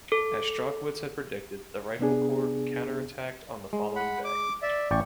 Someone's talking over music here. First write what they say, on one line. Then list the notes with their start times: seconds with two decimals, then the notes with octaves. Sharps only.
As Strachwitz had predicted, the Rifle Corps counterattacked on the following day.
0.12 A4
1.99 C3 B3 D4 G#4
3.73 G#3
3.96 F#5 B5
4.24 D6
4.62 D5 E5
4.91 A1 D5 G5 C#6